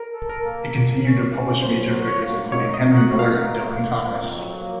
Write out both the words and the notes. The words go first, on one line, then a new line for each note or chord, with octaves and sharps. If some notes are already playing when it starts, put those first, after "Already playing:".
It continued to publish major figures, including Henry Miller and Dylan Thomas.
Already playing: A#4
A4
A#4
A#3
A#3
C#4
C#4
F#3 C5
F#4
C#5
A#3
D#4 C#5
D#5
F#4
F#5
D#4
F5
A#3
A#3
F2
F#3
A#3